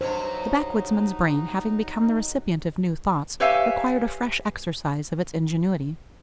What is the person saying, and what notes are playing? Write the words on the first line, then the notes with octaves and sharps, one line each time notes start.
The backwoodsman's brain having become the recipient of new thoughts, required a fresh exercise of its ingenuity.
G2 F#3 D#4 C5 C#5
G4 B4 C#5 E5 F5 G#5